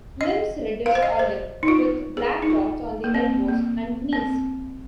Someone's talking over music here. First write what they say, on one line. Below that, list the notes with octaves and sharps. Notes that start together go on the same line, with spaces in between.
Limbs reddish olive, with black dots on the elbows and knees.
D#5
F5
C5
D#5
C5
D#4
F4
G#4
D#4
F4
A#3
C4
A#3
C4